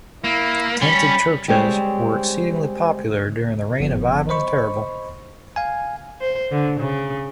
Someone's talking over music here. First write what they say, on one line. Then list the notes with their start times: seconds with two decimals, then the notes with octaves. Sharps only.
Tented churches were exceedingly popular during the reign of Ivan the Terrible.
0.24 A#3 E4
0.82 G3 C#4 B5
1.48 G3 G#3 C4 C5 C#5
3.80 G1 F3 B3
4.29 C5 D#5 B5 C#6
5.56 F5 G#5
6.21 C5
6.51 D3
6.80 C#3